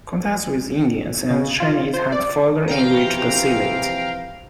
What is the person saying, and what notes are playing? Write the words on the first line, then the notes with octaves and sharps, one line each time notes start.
Contacts with Indians and Chinese has further enriched silat.
C#3
F4
C5
D5
C3 E3 F3 F5 G5 A#5